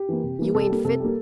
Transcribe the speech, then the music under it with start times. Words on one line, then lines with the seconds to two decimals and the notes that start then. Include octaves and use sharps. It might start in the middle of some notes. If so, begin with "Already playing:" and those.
"You ain't fit."
Already playing: G4
0.09 E3 A#3
0.24 C3
0.39 E3 A#3
0.54 C3 A4
0.70 G3 A#3
0.85 C3 A4
1.00 G3 A#3